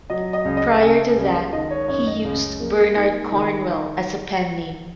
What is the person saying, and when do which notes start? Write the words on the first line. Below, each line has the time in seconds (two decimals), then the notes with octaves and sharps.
Prior to that, he used Bernard Cornwell as a pen name.
0.10 F#3 D#5
0.33 D#5
0.45 C#2
0.57 D#5
0.82 C#3 G#5
1.17 C#2
1.53 D#3 D#5
1.71 C#5
1.88 F#2 C#5
2.07 D#5
2.24 C#2
2.60 A#3
2.96 D#4
3.32 D#3